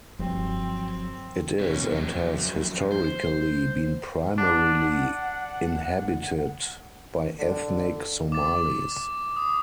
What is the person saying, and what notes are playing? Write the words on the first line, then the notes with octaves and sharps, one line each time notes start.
It is and has historically been primarily inhabited by ethnic Somalis.
F#1 G2 F3 F#3 C4
B2 C#4
F2 F#3
C5
D4 F#5
D3
D6 A6
D#6